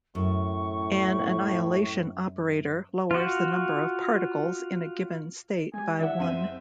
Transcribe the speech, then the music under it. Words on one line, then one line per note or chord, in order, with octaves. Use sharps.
An annihilation operator lowers the number of particles in a given state by one.
F#2 A2 C#6
F4 F#4
G#3 G4 G#5
E3 D5 E5 F#5
F#1 C4 D#7